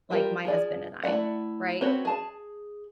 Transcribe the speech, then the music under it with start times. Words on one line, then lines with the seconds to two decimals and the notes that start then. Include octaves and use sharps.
like my husband and I, right?
0.10 G3 F4 G4 A#4
0.45 F3 G#4 D5
1.04 A3 E4 F#4 D5 F#5
1.81 C4 F#4 B4 C#5
2.05 G#4 A5